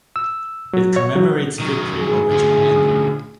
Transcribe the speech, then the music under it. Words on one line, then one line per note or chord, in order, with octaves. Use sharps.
It commemorates Victory over Japan Day.
E6
F#3
C#5
F#3
D#3 F#3
G#4
D2 F3